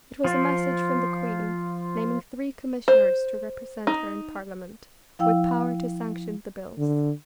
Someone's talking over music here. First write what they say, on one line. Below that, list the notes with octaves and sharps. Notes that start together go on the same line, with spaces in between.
It was a message from the Queen, naming three commissioners to represent her in Parliament, with power to sanction the bills.
F3 F4
C5
D#4
F3 E4 F5 G5 E6
D3